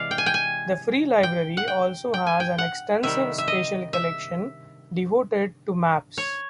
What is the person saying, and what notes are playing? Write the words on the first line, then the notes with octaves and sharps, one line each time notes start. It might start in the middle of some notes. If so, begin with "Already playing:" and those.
The Free Library also has an extensive special collection devoted to maps.
Already playing: C3 E3 G#3 D5 F5
G5
G#5
G5
G#5
G5
F#5
G5
G5
G#5
G5
F#5
C3 D#3 G3 E5
E5
D#5
E5
C#5